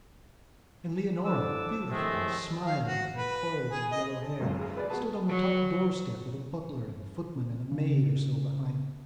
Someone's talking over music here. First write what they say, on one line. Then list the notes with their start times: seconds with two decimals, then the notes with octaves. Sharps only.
And Leonora, beautiful and smiling, with her coils of yellow hair, stood on the top doorstep, with a butler and footman and a maid or so behind her.
1.26 A2 D3 D4 C5 D6 E6
1.91 A2 C3 D#3 F3 G#3 A3
2.66 F5
2.84 F#4
3.17 B4
3.71 G#4
3.91 D#5
4.22 A4
4.40 G#1 C#2 F#2
4.59 G#4 A#4
4.77 G#4 B4 D5
4.90 B3 F#4 G#4 B4 A5
5.28 F#3
7.72 C#3